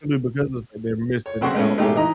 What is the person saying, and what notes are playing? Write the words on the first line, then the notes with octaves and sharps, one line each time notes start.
simply because of the fact they're missing out on,
C#5
F#2 C#3 C4 F#4 C5 C#6
G#3 A3 B3 C#4
B2 G#3 A3 D#4 G4 G#4
E3 D#4 D#5 A#5